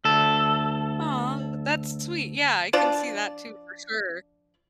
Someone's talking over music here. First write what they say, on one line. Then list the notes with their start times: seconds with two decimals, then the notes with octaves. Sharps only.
Aw, that's sweet. Yeah, I can see that too, for sure.
0.05 D2 A4
2.73 F3 D4 F4 D5